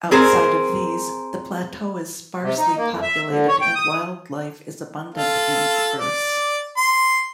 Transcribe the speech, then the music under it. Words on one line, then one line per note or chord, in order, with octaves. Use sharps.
Outside of these, the plateau is sparsely populated and wildlife is abundant and diverse.
C4 G#4 A#4 C5
C3
D#4
A#3
F2
E5
D3
C#5
G5
D#6
F4 A4
D5
C6